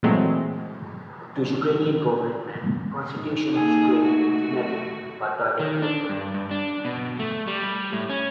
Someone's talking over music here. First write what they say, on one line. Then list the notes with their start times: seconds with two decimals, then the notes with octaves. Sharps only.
To Ukrainian government, Constitution of Ukraine is nothing but toilet paper.
0.03 A#2 E3 F#3 G#3 A3 C4
3.15 D#4
3.51 A#3 G#4 A4
4.02 A3 F#4
5.59 D#3
5.82 D4
6.09 G2
6.34 G2
6.51 D4
6.85 B2
7.19 A3
7.47 G3
7.92 A2
8.10 C#4